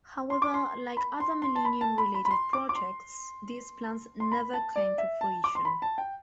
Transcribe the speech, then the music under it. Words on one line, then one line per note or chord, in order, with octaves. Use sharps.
However, like other Millennium-related projects, these plans never came to fruition.
C6
D6
C6
B5
C6
C6
A5
B5
A5
B5
B5
B5
C6
D6
D6
C6
C6
B5
A5
D5
E5
A5
D6
C6
B5
A5
G5